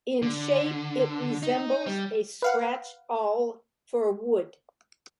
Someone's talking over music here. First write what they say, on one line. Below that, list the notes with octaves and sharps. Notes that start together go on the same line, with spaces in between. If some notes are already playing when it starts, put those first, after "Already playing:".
In shape it resembles a scratch awl for wood.
D3
D#4
G3
B4 F5 F#5